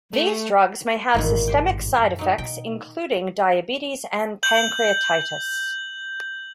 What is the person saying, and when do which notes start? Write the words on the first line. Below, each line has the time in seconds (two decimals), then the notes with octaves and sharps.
These drugs may have systemic side effects including diabetes and pancreatitis.
0.13 A3
1.14 G#1 E2 G2 A#2 D#3
1.48 G4 C5 G5
1.98 F#2
2.19 F#3 D#4
2.38 B2 G5
4.43 G6 F#7